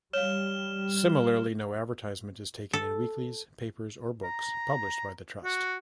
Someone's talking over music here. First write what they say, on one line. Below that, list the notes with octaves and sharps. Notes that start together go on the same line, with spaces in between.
Similarly no advertisement is taken in weeklies, papers or books published by the Trust.
G3 C#5 F5 F6 E7 G7
A4
A#5
F#4